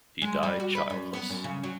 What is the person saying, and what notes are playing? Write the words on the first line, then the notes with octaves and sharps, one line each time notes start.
He died childless.
G#3
G3
F#4
B4
F#2
B3
F#2
C#3
F#3